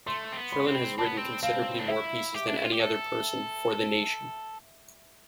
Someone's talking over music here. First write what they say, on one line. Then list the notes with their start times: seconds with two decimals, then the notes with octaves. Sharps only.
Trillin has written considerably more pieces than any other person for "The Nation".
0.06 A3 C6
0.33 C4
0.37 B3
0.52 B5
0.67 C4
0.98 C4 A5
1.07 B3
1.17 C4
1.43 C4 F5
1.79 D4
1.88 E4 E5
2.34 G4
2.48 D4
2.57 E4
2.63 F4
2.72 G4
2.79 A4